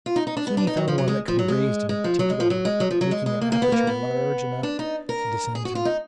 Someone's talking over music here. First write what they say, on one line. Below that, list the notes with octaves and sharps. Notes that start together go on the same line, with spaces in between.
Soon he found one that could be raised and tipped it over, making an aperture large enough to descend through.
F4
D#4
D#4
D4
B3
D4
D#4
F#3
F3
F#3
G#3
F3
F#3
G#3
G#3
F3
F#3
G#3
F3
F#3
G#3
F#3
F3
F#3
G#3
G#3
A#3
A#3
B3
A#3
B3
D4
D#4
A#4
G#4
F#4
F4
D#4